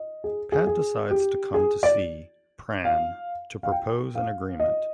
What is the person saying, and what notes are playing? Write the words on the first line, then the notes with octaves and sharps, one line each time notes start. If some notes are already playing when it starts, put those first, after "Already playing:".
Pat decides to come to see Pran to propose an agreement.
Already playing: D#5
G#4
G#4
G#4
G4
G#4
D5
F5
F5
G5
F5
D#5